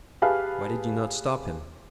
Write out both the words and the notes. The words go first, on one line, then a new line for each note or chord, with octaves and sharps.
"Why did you not stop him?"
G4 G#4 B4 F5 A5 F6